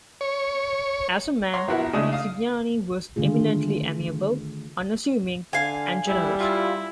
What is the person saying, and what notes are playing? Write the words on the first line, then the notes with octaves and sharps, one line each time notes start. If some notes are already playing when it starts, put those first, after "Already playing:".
As a man Cignani was eminently amiable, unassuming and generous.
C#5
C#5 F#5 A#5 C6
A#1 B3 E4 F#4 A#4 F#5
C#3 G#3 A3 D4 D#4 D#6
F5 D#6
D3 D#3 A3 F4 G#4
D3 F5 G#5
G3 E4
E4 F4